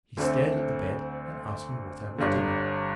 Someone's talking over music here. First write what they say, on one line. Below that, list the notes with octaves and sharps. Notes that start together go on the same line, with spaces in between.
He stared at the bed, and asked me what I was doing.
D2 D3 A3 C4
G1 G2 D3